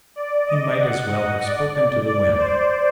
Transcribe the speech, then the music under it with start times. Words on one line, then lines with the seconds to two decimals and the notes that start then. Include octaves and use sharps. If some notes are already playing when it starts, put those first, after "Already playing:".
He might as well have spoken to the wind.
0.16 D5
0.47 D#5
0.80 F#5
1.11 D#5
1.43 D5
2.06 D5
2.37 C5